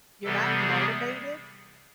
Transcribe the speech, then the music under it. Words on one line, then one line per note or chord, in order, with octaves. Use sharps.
you're not motivated?
C3 E3 G3 B3 A4
G#4